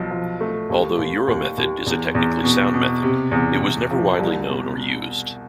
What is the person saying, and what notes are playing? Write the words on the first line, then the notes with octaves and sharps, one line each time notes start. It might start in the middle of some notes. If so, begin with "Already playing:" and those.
Although Euromethod is a technically sound method it was never widely known or used.
Already playing: B1 F3
F3
A3
D#2
D#2
D#2
D#2
E2
E2
B2
B2
C3
E2
E2
F3
C2
B2